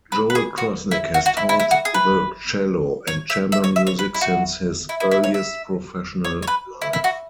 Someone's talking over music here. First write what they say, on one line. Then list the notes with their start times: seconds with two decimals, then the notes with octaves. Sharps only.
Joel Krosnick has taught the cello and chamber music since his earliest professional life.
0.12 B4
0.30 B4
0.35 G#4
0.58 F#4
0.91 E4
1.14 F#4
1.26 F#4
1.37 E4
1.49 E4
1.60 E4
1.71 F#4
1.85 G#4
1.94 B4
3.07 C#5
3.30 E5
3.52 E5
3.64 C#5
3.76 E5
3.87 C#5
3.99 B4
4.14 E4
4.21 F#4
4.89 E4
5.00 E4
5.11 E4
5.24 C#5
5.34 E5
6.25 C#5
6.42 C#5
6.47 B4
6.82 E4
6.93 E4
7.04 F#4